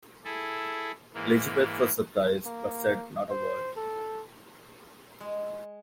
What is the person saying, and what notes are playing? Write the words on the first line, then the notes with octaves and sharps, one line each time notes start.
Elizabeth was surprised, but said not a word.
E4 G#4 A4
G#2 E3 A#3
A#3
C5
A4
G#3